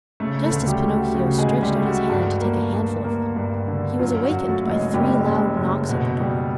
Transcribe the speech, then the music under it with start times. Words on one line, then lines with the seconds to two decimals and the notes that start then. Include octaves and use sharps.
Just as Pinocchio stretched out his hand to take a handful of them, he was awakened by three loud knocks at the door.
0.20 C#3 A3 A4
0.43 A3 A4
0.51 D2
0.67 G3 G4
0.82 A3
0.91 F#4
1.15 C#3 F#4
1.38 G#3 G#4
1.46 D2
1.62 G3 G4
1.78 A3
1.85 F#4
2.10 G2
2.41 A#3
2.73 G2
3.04 A#3
3.36 G2
3.67 D3
3.99 F#2 F4
4.23 F#4
4.31 F#2
4.46 A3 A4
4.62 F#1
4.70 G#3 G#4
4.93 F#1 G3 G4
5.26 F#1
5.57 F#1
5.89 B2
6.20 G3